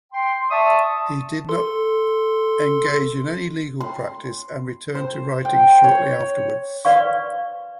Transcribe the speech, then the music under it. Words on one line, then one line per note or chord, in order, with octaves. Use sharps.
He did not engage in any legal practice and returned to writing shortly afterwards.
G5 C6
D5 E5 A5 C#6 D#6
A4 C6
C6
C5
G5
C#5
B4 D5 F5 C#6